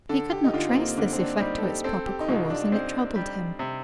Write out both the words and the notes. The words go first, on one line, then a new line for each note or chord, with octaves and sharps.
He could not trace this effect to its proper cause and it troubled him.
D3 A4
G4
D#4
D3 F4
C4
A#3
D3
C4
D4
G3 D#4
A4
G4
C4 A4
G4
D#4
C2 F4
D4
C4
G3
C3